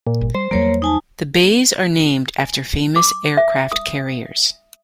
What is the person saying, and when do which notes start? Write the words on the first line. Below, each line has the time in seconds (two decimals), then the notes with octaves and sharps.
The bays are named after famous aircraft carriers.
0.07 A#2
0.21 G1
0.35 G3 C5
0.51 E2 F#3 G3 A#3 A#4 C#5
0.82 D#4 G#5 A5
2.39 G#5
2.96 D6
3.37 E5
3.72 D#6